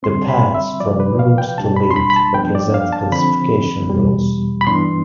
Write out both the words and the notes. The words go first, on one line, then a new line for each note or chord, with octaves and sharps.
The paths from root to leaf represent classification rules.
D3 G3 C4 C6
B5
E5
F2 C3 F3 D5
B4
F5
G5
B2 G3 D4 A5
B5
C6
B5
B5
A5
G2 F3 B3 D4 G5
D5
F5
A5
D3 F3 C4 B5
E2 B2 G3
B5
G2 E3 B3 D4 C6